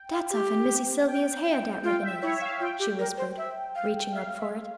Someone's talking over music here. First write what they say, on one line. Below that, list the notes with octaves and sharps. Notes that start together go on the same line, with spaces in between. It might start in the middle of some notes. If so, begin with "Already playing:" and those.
"Dat's off'n Missy Sylvia's hair, dat ribbon is," she whispered, reaching up for it.
Already playing: G5
F5
G4
G5
G5
F4 G5
E5
E4 C#5
E5
F5
F4 G5
G4
A#4
C5
E5
F5
E5 F5
E5